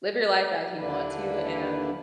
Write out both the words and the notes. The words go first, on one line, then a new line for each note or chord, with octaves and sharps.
live your life as you want to and
D#2 D3 A#3 D4 E4 B4